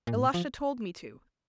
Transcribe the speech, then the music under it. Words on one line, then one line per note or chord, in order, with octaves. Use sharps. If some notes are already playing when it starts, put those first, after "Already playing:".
Ilusha told me to.
A#2
G#2
A#2
F3